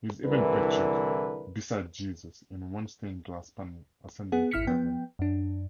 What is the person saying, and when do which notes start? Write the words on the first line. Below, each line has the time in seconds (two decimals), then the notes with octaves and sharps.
He is even pictured beside Jesus in one stained-glass panel ascending to heaven.
0.25 C2 D3 E3 A#4 B4
4.32 B3 G#4 F#5
4.51 G#1 E4 F6 B6 C#7
4.67 F3 B3 G5
5.19 F#2 D4